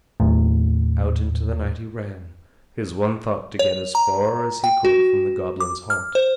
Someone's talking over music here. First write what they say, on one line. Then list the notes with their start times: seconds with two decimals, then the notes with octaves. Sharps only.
Out into the night he ran, his one thought to get as far as he could from the goblin's haunt.
0.20 D#2 A2
3.59 C#5
3.95 A#5
4.64 G5
4.85 F#4
5.60 D6
5.90 F6
6.15 C5